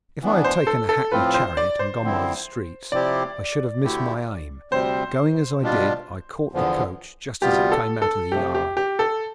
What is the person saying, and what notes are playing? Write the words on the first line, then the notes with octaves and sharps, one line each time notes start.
If I had taken a hackney-chariot and gone by the streets, I should have missed my aim; going as I did, I caught the coach just as it came out of the yard.
E3 B3 D4
C5
A4
A4
A2 F3 C4 F4 B4
C5
D5
C5
D3 F3 C4 E4
C3 F3 C4 E4 G4 D5
D2 D3 A3 E4 G4
D2 C3 G3 C4 C5
B2 G3 D4 F4
E2 D3 F3 B3
D2 C3 G3 B3 F4 G4
A4
A4
F2 C3 F3 A3 G4
G4
G4
A4